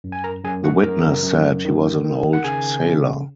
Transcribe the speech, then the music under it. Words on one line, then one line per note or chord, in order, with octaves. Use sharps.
The witness said he was an old sailor.
F#2
G#5
A#4 A#5
F#2 G#4 G#5
F#4 F#5
F#2 A#4 A#5
F#2
D#3
D#3
F#5
C#3 G#4 G#5
C#3